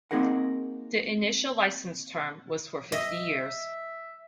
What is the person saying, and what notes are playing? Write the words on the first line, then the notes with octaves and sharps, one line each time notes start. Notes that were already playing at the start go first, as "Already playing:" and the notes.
The initial license term was for fifty years.
A#3 C4 D#4 G#4 A#4 F#5
D#5 E5